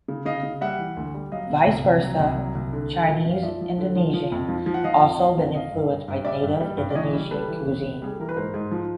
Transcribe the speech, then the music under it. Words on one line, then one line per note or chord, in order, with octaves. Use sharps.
Vice versa, Chinese Indonesian also been influenced by native Indonesian cuisine.
C#3
C#3 D#5 F5
C#3
G3 E5 F#5
E3
D2
G3
F#3 D#5 F5
B2
C2
C2
F#3
C2
F#3
C2
D3
D3
F3
F#2
F5
F3 D5 E5
F3
D3
F3
F3
F2
F3
F3
F#5
F3 D#5 F5
F2
F3 D#5 F5
F2
D#3 D#5 F5
G2
G2
G2
G3 D5 E5
G2
G3
G2
D5
E3 C#5 D#5
G3
G3 A4 B4
E3
E2
C3
G3 G#4
A4
E3 A#4
B4
G#2 A#4 C5
G#2
F3